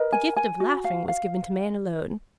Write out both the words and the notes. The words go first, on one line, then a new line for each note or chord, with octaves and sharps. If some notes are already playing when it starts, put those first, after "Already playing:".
The gift of laughing was given to man alone.
Already playing: A#4 B4 D#5
G#5
G#5
F#4
F5
F5